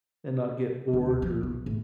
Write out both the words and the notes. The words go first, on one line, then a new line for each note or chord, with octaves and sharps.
And not get bored or
D2
F3
B1
A2